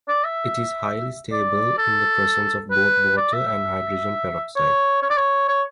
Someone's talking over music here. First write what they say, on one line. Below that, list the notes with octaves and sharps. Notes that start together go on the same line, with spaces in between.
It is highly stable in the presence of both water and hydrogen peroxide.
D5
E5
D5
A4
B4
D5
E5
E5
C#5
C#5
D5
C#5
C#5